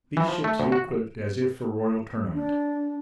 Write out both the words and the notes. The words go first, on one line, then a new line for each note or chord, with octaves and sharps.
These ships he equipped as if for royal tournament.
E3
F3
A3
D2
F#4
D4